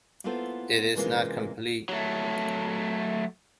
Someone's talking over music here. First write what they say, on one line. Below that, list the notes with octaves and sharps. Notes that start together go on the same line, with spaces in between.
It is not complete.
A#3 B3 E4 F4 A4 C5
C3 E3 G#3 A#3 C#4 F4
F#3 A3